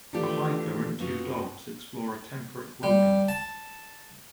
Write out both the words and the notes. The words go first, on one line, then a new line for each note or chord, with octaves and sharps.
A hiker and two dogs explore a temperate wilderness.
D#3 E3 A3 D4 F4 G4
F#2 B3 D#4 F4 F#4
G3
A5